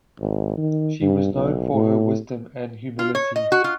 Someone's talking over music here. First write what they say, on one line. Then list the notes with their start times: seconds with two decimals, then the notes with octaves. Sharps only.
She was known for her wisdom and humility.
0.20 G#1
0.57 D#3
1.02 G2
1.33 B1
1.74 A2
2.99 F4
3.15 C#5
3.36 D#5
3.52 F#4
3.64 F4